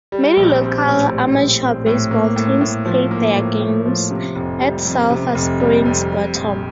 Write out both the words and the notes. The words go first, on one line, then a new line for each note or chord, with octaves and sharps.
Many local amateur baseball teams played their games at Sulphur Springs Bottom.
G3
A#1
C4
A2
G3
A#1
C4
A2
A#3
A2
A2
F3
A#3
A2
A2
F3
C3
F1
G3
F2
C3
F1
G3
F2
G3
A#1